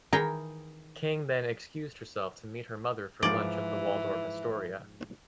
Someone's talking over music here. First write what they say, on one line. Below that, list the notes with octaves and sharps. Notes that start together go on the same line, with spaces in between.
King then excused herself to meet her mother for lunch at the Waldorf-Astoria.
D#3 E3 G#4 A#4 G5 A#5
G#2 E3 F3 D5